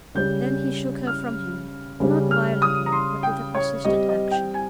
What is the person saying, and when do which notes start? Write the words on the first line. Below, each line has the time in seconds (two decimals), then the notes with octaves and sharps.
Then he shook her from him, not violently, but with a persistent action.
0.15 C#3 G3 C#4 G6
1.07 F6
2.00 C#3 G3 C#4
2.31 F6
2.62 D#6
2.86 A#5
2.92 C6
3.23 G5
3.55 C#5
3.85 G3 C4 G4 D#5
4.09 D#5
4.31 G5
4.54 G#5